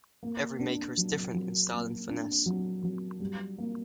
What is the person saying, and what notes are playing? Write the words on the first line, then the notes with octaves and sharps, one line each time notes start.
Every maker is different in style and finesse.
A#3
D4
F#3
F#3
A#3
D4
F#3
F#3
G3
A#3